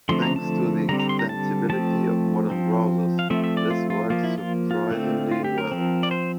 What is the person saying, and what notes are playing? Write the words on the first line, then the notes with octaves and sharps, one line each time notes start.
Thanks to the extensibility of modern browsers, this works surprisingly well.
D3 F3 A3 C4 C6
A#5
A5
D3 G3 C4 A#5
A#5
C6
A#5
A5
F3 A3 C4 A5
F3 C4
F5
F3 A3 C4 E5
E5
D5
F4
F4
F3 A#3 F4
E4
F4
F4
D3 A3 C4
F4
G4
A#4
F3 C4
D5
C5